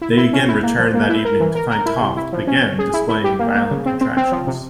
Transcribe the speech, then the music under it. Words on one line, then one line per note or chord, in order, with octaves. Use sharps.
They again returned that evening to find Toft again displaying violent contractions.
E4
E4
C#4
E4
A#3
F3
A#3
E4
A#4
E3
A#4
A#4
E4
C3
E4
F3
C#4
C#4
G#4
E4
E4
G4
A#3
A#3
C#3
C4
C4
C4
F3
C3